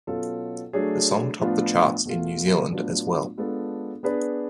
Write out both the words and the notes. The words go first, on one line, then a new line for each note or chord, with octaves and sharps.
The song topped the charts in New Zealand as well.
B2 F#3 C#4 F4 A4
F#3 A3 D4 G#4 C#5
A2 F3 B3 D4 F4
B2 A3 F4
A2 F#3 B3 D4 F4
G#3 B3 D4 F4 A4
B3 D4 G#4 B4 D5